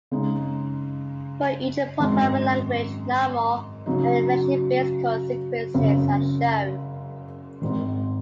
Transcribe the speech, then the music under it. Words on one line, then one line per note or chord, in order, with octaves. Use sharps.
For each programming language, normal and reflection-based call sequences are shown.
C#3 G#3 D#4
G#1 F#2 D#3 G#3
C#3 F#3 D#4
F#1 F#2 C#3
G#1 G#2 D#3